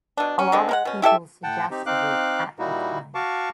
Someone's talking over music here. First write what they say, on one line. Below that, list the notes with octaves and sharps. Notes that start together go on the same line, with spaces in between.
A lot of people suggested it at the time.
B2 D4
C#4
D3 G#3 C4
G#3 A#4 F#5
B2 C#4
E4 G4 A4 E5
A2 F#5 G5 A5
C4 D#4 G4
C4 D#4 F5 D6 F#6
A#2 G3 A#3 D#4 E4 F#4
F#4 F5 A5 C#6 D6